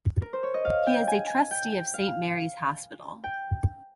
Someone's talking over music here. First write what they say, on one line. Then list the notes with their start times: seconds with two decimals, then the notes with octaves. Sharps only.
He is a Trustee of Saint Mary's Hospital.
0.22 A#4
0.33 C5
0.43 C#5
0.54 D#5
0.65 F5
0.86 G5
1.07 G#5
1.30 G#5
1.51 G5
1.72 G5
1.94 F5
3.24 G5